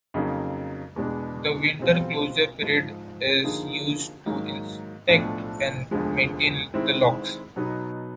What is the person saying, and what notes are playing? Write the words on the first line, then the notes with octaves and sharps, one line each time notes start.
The winter closure period is used to inspect and maintain the locks.
F2 C#3 F#3 A#3 D#4
E2 B2 G#3 B3 D4
B1 B2 G3 C4 F4
G#2 F3 G#3
D3 F3 A#3 D#4 G#4
G#2 D#3 F#3 A#3
B1 A2 F3 A3 D4
E1 D2 D3 F3 G#3
D#3 G#3 C4 E4
B2 F#3 B3 D#4